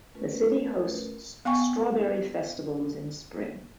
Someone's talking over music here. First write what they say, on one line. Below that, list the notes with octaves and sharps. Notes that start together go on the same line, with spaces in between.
The city hosts strawberry festivals in spring.
A3 C#4 F4 A#4 B4
B3 F5 G5 G#5 C#6